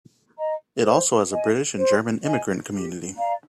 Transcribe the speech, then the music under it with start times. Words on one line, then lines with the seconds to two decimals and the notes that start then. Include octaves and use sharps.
It also has a British and German immigrant community.
0.37 D#5 A#5
0.84 C5
1.31 D#5 G#5
1.77 C5
2.24 D#5 G#5
2.70 G4
3.17 D5 F5 A#5